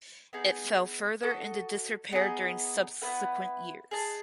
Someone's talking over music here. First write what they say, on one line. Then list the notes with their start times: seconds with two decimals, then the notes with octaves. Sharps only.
It fell further into disrepair during subsequent years.
0.33 B3 D#4 G#4
1.23 F#4 A4 D#5
2.12 B3 D#4 G#4 D#5
3.02 B3 E4 B4 F#5
3.91 G#4 D#5 A5